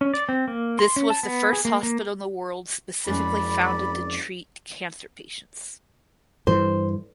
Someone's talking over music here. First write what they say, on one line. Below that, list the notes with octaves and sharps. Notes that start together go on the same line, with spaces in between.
This was the first hospital in the world specifically founded to treat cancer patients.
C#4
D5
C4
A#3
C6
C#4
A5
B3
G#4
A#3
A#3
F#1 F2 G#3 C#4 D5 B5
G2 E3 C5